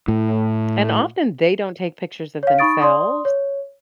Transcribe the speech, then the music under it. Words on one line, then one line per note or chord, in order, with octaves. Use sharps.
And often they don't take pictures of themselves,
A2
C#5 F5
D#4 B5 C#6 D#6 A6 D7
D5 C6 D#6
C#5